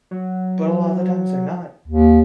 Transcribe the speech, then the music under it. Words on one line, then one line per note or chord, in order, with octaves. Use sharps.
But a lotta the times they're not.
F#3
D#2